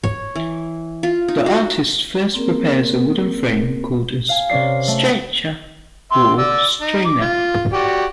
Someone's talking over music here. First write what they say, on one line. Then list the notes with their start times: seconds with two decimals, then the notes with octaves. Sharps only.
The artist first prepares a wooden frame called a "stretcher" or "strainer".
0.03 C#5
0.35 E3
1.03 F4
1.28 D#4
1.46 F#4
2.34 A#3 C4 C#4 G#4 A#4
4.29 F5 G#5
4.49 C3 C#4 A#4 D5 C7
4.88 A3
6.12 E5 C6
6.38 D5 E6
6.81 D#4
7.06 D6
7.21 F4
7.73 F#4 G4 D5